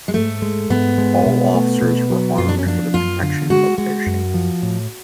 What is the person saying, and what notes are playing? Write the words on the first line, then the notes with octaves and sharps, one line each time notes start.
All officers were armed for the protection of their ships.
G#3
G#2 A3
G#3
G#2 B3
G#3
B2
A3
B2
F#3
F#2 F4
D4
C#4
F3 D4
F#2 F4
D3 F4
G#3 F#4
G#3 F#4
F#2
F3
A2